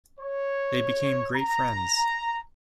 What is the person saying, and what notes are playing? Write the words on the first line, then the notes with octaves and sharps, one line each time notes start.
They became great friends.
C#5
A#5